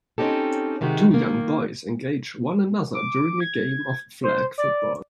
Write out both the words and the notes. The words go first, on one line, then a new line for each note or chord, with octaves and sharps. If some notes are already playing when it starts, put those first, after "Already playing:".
Two young boys engage one another during a game of flag football.
C4 C#4 D#4 G4 A4
C3 D#3 G#3 F#4 G4
D#3 A#3
D6
G#6
C5
D5